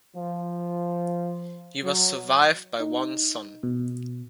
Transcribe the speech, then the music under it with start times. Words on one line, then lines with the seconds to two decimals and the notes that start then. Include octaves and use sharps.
He was survived by one son.
0.17 F3
1.84 F#3
2.80 D#4
3.63 B2